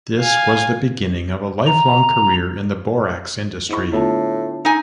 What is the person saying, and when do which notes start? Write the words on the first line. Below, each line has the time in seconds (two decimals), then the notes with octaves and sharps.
This was the beginning of a lifelong career in the borax industry.
0.19 F5 G#5
1.66 A#5
3.69 G#2 E4 C#6
3.92 A2 D3 A3 B3 E4 F4 A5
4.65 D#4 G#5